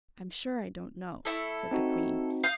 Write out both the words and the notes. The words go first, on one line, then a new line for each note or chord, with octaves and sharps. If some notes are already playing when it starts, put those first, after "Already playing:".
"I'm sure I don't know," said the queen.
A3 E4 A4
C4 D#4 F#4
F5 D#6 G6